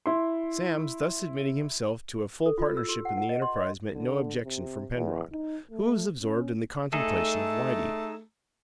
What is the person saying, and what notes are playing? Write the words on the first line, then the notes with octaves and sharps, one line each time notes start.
Sam's thus admitting himself to a full partnership in the enterprise met no objection from Penrod, who was absorbed in the contemplation of Whitey.
E4 C6
A4
F4
E6
G4
F#5
F#5
D#5
C6
D#5
D3
C3
E2
D#4
A3
C#4
A3 D#4 G#4 A4